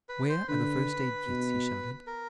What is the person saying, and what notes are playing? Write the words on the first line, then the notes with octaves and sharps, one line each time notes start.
"Where are the first-aid kits?" he shouted.
B4
C5
D3 B4
B2
A#4